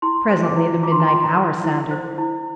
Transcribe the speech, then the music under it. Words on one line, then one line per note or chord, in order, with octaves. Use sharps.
Presently the midnight hour sounded.
E4 C6
C5
D6
E4
F4 D6
C6
A#5
C6
F4
A#5
A#4
E4
C5
E4